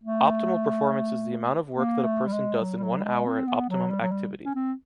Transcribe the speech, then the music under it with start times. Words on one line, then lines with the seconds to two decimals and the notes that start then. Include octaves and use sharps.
Optimal performance is the amount of work that a person does in one hour at optimum activity.
0.04 A3
1.76 A#3
2.04 A3
2.27 G3
2.33 G#3
2.61 F#3
2.78 G3
2.83 F#3
2.98 G3
3.04 G#3
3.26 C4
3.47 B3
3.69 F#3
3.90 G3
4.01 F#3
4.12 G3
4.45 C#4
4.55 C4